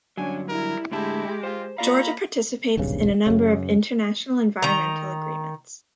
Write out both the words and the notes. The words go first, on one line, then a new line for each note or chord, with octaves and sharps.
Georgia participates in a number of international environmental agreements.
G2 D3 F#3 C#4 D4 G#5
G3 E4 A#4
A2 D3 G#3 E4 G4 A5
F4 C5
A#3 F4 D5 F5 A#5 B5
D#1 B1 G2 C#3
F#2 C#3
D#3 A#5